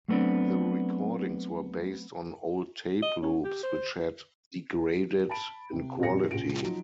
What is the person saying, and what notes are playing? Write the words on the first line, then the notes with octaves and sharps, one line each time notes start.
The recordings were based on old tape loops which had degraded in quality.
F#3 A3 B3 C4 D4
D#5
C#4
G4
C5
A5 B5 D7
C3
F2 A#2 C#3 G4 A#6 C#7
A#1 C#3 F3 D7
F3 F#3 D#4